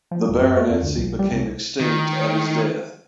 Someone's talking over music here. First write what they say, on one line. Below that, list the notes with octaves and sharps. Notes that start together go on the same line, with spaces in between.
The Baronetcy became extinct at his death.
F3
D#1
F#2
A3
F2
D2
B1
G3
C2
D#3